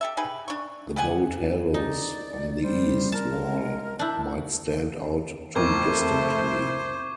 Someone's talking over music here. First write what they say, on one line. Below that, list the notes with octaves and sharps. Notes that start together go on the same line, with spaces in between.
The gold halos on the east wall might stand out too distinctly.
G4 A4 E5
D#4 G4 G#4 B4
D4 C#6
G4 G#4 F#5 G#5
D#4 D5
G3 C5
A#4 A5
G#3
D4 E4 G6
F2 A3 A#4 C5 C#6 D6 G#6